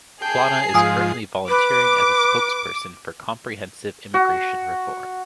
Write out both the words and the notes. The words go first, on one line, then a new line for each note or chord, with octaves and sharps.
Plana is currently volunteering as a spokesperson for Comprehensive Immigration Reform.
G#4 G5 A5 C7
G#2 F3 F4 G#5 D#6 E6
B4 D6
F#4